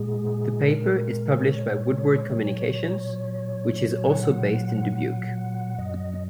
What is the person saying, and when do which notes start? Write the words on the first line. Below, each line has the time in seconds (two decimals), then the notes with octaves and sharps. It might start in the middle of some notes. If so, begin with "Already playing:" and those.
The paper is published by Woodward Communications, which is also based in Dubuque.
Already playing: A#2 G#3 G#4
0.61 A#4
1.47 C#5
2.33 A#2 F#3
4.05 F#5
4.93 F#5
5.78 F#2 F#3 D#5